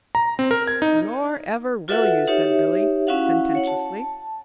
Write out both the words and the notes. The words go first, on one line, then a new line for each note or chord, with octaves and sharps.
"Nor ever will you," said Billy, sententiously.
A#5
C4
A#4
G#6
D#4
F4 F#4 A4 B4 E5 F#5
D#4 G4 C#5 E5
C#4 E4 F#4 F5 F#5
C#5 F#5
A5